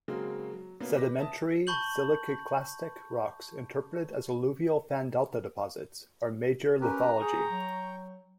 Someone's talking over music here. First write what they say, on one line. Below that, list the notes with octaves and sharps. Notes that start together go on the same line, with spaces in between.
Sedimentary siliciclastic rocks, interpreted as alluvial fan-delta deposits, are the major lithology.
C#3 F#3 G#3 A#3 C4 F#4
F#3
B2 A#3 B3 C#4 B4
B4 D6 A#6
E5 A5 D#6
A5 B5 C#6 G6 F#7
C#4 G4 A#4 B4 A#5
G#4 G5 C#6
F#3